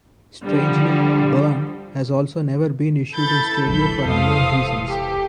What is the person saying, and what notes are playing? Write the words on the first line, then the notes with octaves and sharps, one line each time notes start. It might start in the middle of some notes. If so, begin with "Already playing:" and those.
Strangely, "Burned" has also never been issued in stereo for unknown reasons.
D3 F3 G3
E3 A4 B5 G6 A6
E1 A#1 F#3 B5 G6
F2 G#3 C5 F5 D#6
E1 C3
G4